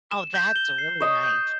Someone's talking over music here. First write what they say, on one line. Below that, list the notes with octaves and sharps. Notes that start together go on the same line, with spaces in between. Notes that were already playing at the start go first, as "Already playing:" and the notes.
Oh, that's really nice.
E7
G6
G7
C7
C#5 D#5 E7
G6